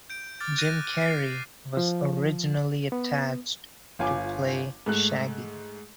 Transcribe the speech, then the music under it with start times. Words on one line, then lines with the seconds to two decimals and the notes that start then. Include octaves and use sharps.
Jim Carrey was originally attached to play Shaggy.
0.10 G6 D7
0.40 D6 F6 A6
0.58 F#6 A#6 D7 D#7
0.98 F6 A6 C7
1.77 F3
2.92 B3
3.99 G1 F4 G#5 D6
4.86 G#2 A3 F#6